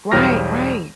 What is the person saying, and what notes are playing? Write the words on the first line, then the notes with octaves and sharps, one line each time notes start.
Right, right.
E1 B1 G3 C5 F6 A#6